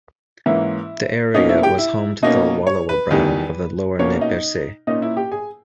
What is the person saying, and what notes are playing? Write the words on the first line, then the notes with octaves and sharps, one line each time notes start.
The area was home to the Wallowa band of the Lower Nez Perce.
G#2 E3 A#3 C#4 E4 E5
B2 A#3 C#4 D#4 D#5
E4 E5
G4 G5
E4 E5
B2 A#3 C#4 D#4 D#5
C#5
B4
E2 D#3 G3
B2 A#3 C#4 C#5
D#4 D#5
A#2 A#3 C#4 D#4 D#5
E4 E5
G4 G5
G#4 G#5